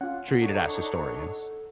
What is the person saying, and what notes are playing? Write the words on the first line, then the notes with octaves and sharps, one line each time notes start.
treated as historians.
C#4 F4 F#5
D4 D#4 A4 C#5